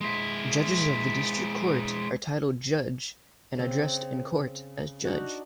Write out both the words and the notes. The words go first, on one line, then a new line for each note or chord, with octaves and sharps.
Judges of the District Court are titled "Judge" and addressed in Court as "Judge".
G#3 E4
C#3 C4
D4 D#4 F#4